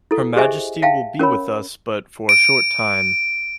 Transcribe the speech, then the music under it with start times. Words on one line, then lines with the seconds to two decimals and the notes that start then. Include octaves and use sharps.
Her majesty will be with us but for a short time.
0.11 E4 A4
0.36 G4 G#4 C5 D#5 E5 G#5
0.82 E5 F5 G5 A5
1.19 C#4 A#4 C#5 B5
2.29 D7